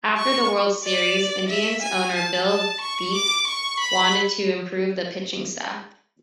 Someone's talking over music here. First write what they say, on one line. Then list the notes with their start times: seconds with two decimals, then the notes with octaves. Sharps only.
After the World Series, Indians owner Bill Veeck wanted to improve the pitching staff.
0.18 C#6
0.83 D5
1.49 E5
1.82 G#5
2.16 A5
2.48 A5
2.81 C#6
3.15 D6
3.47 C#6
3.79 B5